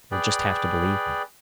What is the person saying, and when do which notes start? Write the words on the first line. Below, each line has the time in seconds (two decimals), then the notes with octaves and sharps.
You'll just have to believe me.
0.12 G#4 B4 D5 G5